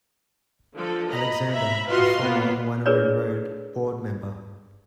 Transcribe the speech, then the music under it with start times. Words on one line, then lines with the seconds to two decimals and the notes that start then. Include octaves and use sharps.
Alexander, a former Wanneroo Road Board member.
0.74 D3 F3 A4
1.09 D#5 A#5 B5
1.50 E5 A#5 B5
1.87 F4 F#4 B4 D#5 F5 C6
2.19 A#3 B3 F4
2.86 D4 G#4 A#4 B4 C#5 D5